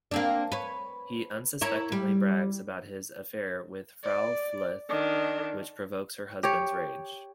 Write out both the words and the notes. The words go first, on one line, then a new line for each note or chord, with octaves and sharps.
He unsuspectingly brags about his affair with Frau Fluth, which provokes her husband's rage.
A#3 C4 D4
B4 C#5
E4 A#4 C#5
G3
D5
D#3 D4
G4 C#5